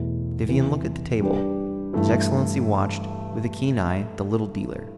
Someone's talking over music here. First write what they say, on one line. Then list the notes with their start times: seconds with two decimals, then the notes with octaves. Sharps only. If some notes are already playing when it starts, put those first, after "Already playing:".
Vivian looked at the table; his excellency watched, with a keen eye, the little dealer.
Already playing: E2 B2 A3 E4
0.49 C3 E3 B3
1.21 G3 D4 G4 B4 D5
1.93 G2 E3 A3 E4